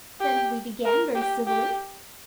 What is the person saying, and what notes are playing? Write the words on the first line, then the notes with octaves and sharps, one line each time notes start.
Then we began--very civilly.
G4
A#4
G4
G4